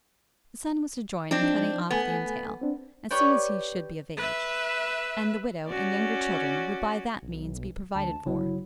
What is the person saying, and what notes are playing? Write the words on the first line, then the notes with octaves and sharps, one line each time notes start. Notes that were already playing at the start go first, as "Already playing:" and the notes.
The son was to join in cutting off the entail, as soon as he should be of age, and the widow and younger children would by that means be provided for.
F3 C4 D4 D#4
A3 B3 A4 G#5
C4 D4
G4 B4 C#5 D5 G5
B4 E5
C#4 F#4 D5
B1
D2 A5
G1 C#3 F#3 E4